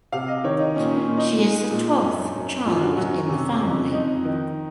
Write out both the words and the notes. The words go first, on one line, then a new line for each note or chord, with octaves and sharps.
She is the twelfth child in the family.
C3 F5
D#5
D#3 C#5
D#4
A#2 C#4
C#4
A#2
D#4
G#3
A#2
F#2
F#2
F#2 F4
F#4
F#2 F#4
C#4
C3
F2
F2 D#4
D#3